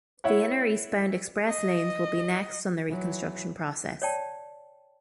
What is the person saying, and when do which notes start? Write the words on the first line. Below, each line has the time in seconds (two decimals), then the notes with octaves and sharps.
The inner eastbound express lanes will be next on the reconstruction process.
0.24 E4 C#5 F#5
1.48 D#5
2.89 E3 F#3
4.02 C#5 D5 G5 A5